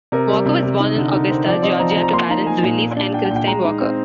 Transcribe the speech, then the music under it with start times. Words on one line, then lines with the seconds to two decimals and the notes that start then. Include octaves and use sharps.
Walker was born in Augusta, Georgia to parents Willis and Christine Walker.
0.12 C3 A#4
0.29 G3
0.45 C3
0.62 C3
0.80 D#4
0.96 D3
1.13 D#4
1.30 C4
1.46 F3 D5
1.63 C4 D#5
1.79 F3 A#5
1.91 A#5
1.96 F3
2.03 A#5
2.13 A#3 C6
2.30 D#4 A#5
2.47 F3 G#5
2.63 A#2
2.80 A#2
2.96 D4
3.13 D4 G5
3.25 G5
3.31 A#2
3.36 G5
3.47 G#3 A#5
3.64 D#4
3.80 C4